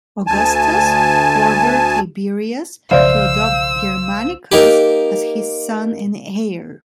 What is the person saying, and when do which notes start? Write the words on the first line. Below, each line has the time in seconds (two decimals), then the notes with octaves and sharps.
Augustus ordered Tiberius to adopt Germanicus as his son and heir.
0.27 D2 G#5 A5
2.91 B1 C#3 F3 C5 D5 E5 F5 E6
4.52 A#3 D#4 G4